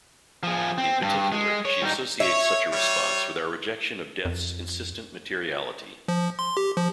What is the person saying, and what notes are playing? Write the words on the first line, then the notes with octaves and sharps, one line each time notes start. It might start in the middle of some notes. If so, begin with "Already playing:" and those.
In particular, she associates such a response with our rejection of death's insistent materiality.
F3 G#4
C4
G2
G#3
C#5
G3 D#4
C#5 E5
G3 C#5
F2
F3
C6
G4
F3